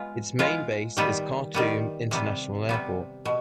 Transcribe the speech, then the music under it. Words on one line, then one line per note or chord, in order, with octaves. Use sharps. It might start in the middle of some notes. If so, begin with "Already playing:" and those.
Its main base is Khartoum International Airport.
Already playing: G#3 B3 F4
G#3 B3 F4
D#3 G3 B3
D#3 G3 B3
C3 G3 B3
C3 G3 B3
B2